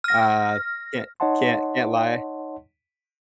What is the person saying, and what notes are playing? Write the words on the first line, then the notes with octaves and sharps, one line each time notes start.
Uh, can't can't can't lie.
F6 A#6
D#4 C#5 D#5 F#5 A5 C6